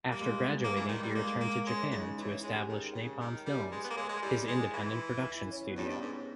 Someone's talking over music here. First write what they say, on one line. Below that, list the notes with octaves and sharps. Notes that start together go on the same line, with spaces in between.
After graduating, he returned to Japan to establish Napalm Films, his independent production studio.
G3 A#3
G#3
G3
A#3
E3
D#3
G3
G#3 A#3
A#3
G#3 C#4
C#4
C#3 D#4
E3 D#4
C#4
G#3
G4
D#3 G#4
C#3
D#3
G3
G#3 B4
B3
A#3
G#3 C#5
G#3
G3 E4
G#3
E3
E4
C#4
B3
G2 C#4
G2
G#2